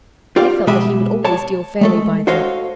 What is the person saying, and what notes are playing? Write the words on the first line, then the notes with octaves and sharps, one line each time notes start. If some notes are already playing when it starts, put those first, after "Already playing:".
They felt that he would always deal fairly by them.
F4 G4 D5 F5
B2 G#3 G4 D#5 E5 B5
C#5 A5
G#3 A3 A4
F#4 A4 C5 C#5 D#5 F5